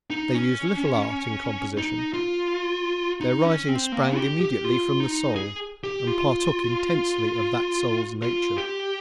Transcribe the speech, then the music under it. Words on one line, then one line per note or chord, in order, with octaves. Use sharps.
They used little art in composition. Their writings sprang immediately from the soul-and partook intensely of that soul's nature.
D#4
C#4
D#4
F4
D#4
C#4
C4
A#3
G4
G4
F4
D#4
G#4
G4
F4
F4
G4